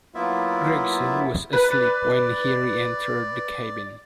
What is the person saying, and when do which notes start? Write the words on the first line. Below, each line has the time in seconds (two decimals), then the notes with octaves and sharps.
Gregson was asleep when he re-entered the cabin.
0.15 F#3 A#3 B3 E4 F4 E5
1.53 B4
1.68 D5